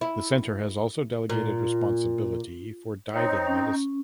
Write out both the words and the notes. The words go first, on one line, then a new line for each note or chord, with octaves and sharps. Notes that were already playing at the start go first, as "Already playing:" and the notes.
The centre has also delegated responsibility for diving medicine.
E4
A#2
C4 D#4 C#5
C#4